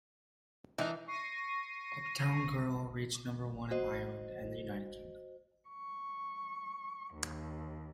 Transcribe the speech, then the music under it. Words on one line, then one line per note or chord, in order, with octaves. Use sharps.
"Uptown Girl" reached number one in Ireland and the United Kingdom.
E3 D4 D#4 A#4
C#6 A#6 C7 D#7
F#4 C5 D#5
C#6
D#2